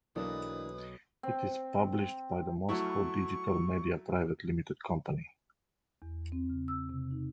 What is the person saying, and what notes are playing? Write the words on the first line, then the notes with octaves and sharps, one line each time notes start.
It is published by the Moscow Digital Media private limited company.
B1 E3 A#3 D4 A4 B4 D#5 D#6
C4
F#3 A3 E4 C#6
E2
C4
C#3
E6
C3
D#4